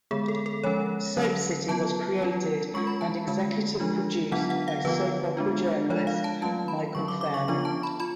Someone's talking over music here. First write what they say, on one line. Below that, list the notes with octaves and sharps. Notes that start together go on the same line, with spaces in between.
SoapCity was created and executive produced by soap opera journalist Michael Fairman.
D3 G#3 B3 G#4
A4
A4
F3 G#3 C#4 C#5
D3 F#3 C#4
F#3 B3 F4 A5
F#3 C#4 F4
G#3 C#4 F4 C#6
B5
A5
D3 G#3 C#4 F4
F3 G#3 D4 F4
D3 F#3 B3 D4 F4 F#5
F#5
F5
D3 F3 B3 F4 B4
G#3 B3 D4 F4
F3 G#3 D4 F4 C#5
F5
A5
F#3 A3 C#4 F4 A5
B5
D3 F#3 C#4 C#6
D6
D6
C#6
F3 B3 D4 F4 C#6
A5
B5
F4 B5